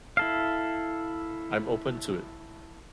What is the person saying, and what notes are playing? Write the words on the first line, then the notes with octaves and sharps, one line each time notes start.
I'm open to it.
E4 A4 F5